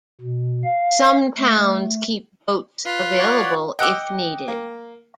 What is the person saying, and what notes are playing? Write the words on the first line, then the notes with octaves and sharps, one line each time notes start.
Some towns keep boats available if needed.
B2
F5
A3
F4 B4
C#5 D5 F#5
D#5 F#5 G5 D6 E6
A#3